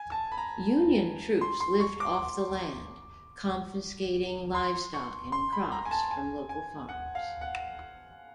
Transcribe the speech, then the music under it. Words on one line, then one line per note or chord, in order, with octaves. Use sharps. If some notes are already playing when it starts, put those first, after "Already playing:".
Union troops lived off the land, confiscating livestock and crops from local farms.
Already playing: G#5
A5
B5
A#5
C6
C6
C#6
D6
C6
C#6
C6
B5
A#5
G#5
A5
G#5
G#5
F#5
F5
F#5